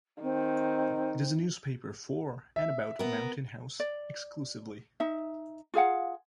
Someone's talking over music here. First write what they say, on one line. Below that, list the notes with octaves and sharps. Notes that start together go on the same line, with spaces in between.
It is a newspaper for and about Mountain House exclusively.
D#3 C4
E5
B3 A#4
D5
D#4 E5
F4 G#4 F5 F#5